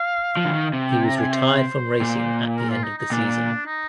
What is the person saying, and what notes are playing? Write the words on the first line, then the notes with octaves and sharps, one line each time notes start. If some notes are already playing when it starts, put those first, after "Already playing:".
He was retired from racing at the end of the season.
Already playing: F5
F3
D3
D#3
C3
G5
A#5
G#5
C5
A#2
A#4
F4
D#4
D#4
A#2 D4
D#4